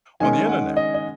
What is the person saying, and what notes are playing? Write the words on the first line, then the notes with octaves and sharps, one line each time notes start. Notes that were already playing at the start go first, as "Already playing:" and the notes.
on the Internet."
D#3 G#3 C#4 G#5
F#5
D#5
D#5